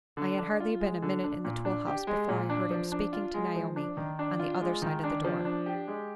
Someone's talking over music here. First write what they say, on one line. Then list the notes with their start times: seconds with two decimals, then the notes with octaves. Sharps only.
I had hardly been a minute in the tool-house before I heard him speaking to Naomi on the other side of the door.
0.17 D3
0.38 D4
0.60 F4
0.80 G#3
1.02 D3
1.24 D4
1.45 A#2
1.65 D4
1.87 G4
2.07 G#3
2.29 A#2
2.50 D4
2.71 F3
2.92 D4
3.13 F4
3.34 G#3
3.56 F3
3.76 D4
3.97 D#3
4.19 D4
4.40 F4
4.61 G#3
4.82 D#3
5.04 D4
5.24 F3
5.45 D4
5.66 G4
5.87 G#3